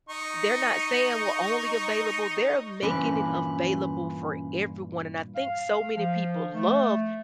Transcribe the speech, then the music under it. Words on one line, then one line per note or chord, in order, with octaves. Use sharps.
they're not saying we're only available They're making it available for everyone, and I think so many people love
D#4 C#6
G2 A#2 E3 C#4 F4 B5
F5
F3
A3